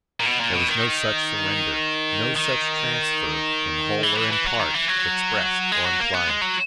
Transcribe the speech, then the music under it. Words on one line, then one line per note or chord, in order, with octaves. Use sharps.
There was no such surrender, no such transfer, in whole or in part, expressed or implied.
A#2
B2
A#2
B2
D#3
D#3
E3
E3
E3
F#3
D#3
E3
F#3
G#3
F#3
A#3
B3
G#3
F#3